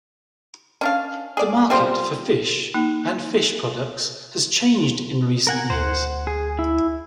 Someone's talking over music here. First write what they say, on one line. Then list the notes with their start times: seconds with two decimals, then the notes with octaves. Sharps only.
The market for fish and fish products has changed in recent years.
0.81 C#4 D4 F5
1.37 G#4 D5
1.70 G3 C4 F4 C5
2.74 A#3 D#4
5.47 A#4 F#5 G#5
5.70 D2 C5 F#5
6.27 G#4
6.59 E4